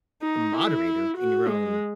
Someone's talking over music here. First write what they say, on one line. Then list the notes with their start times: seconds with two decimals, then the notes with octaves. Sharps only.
a moderator in your own
0.22 D#4
0.54 E4
1.17 F#4
1.48 G#3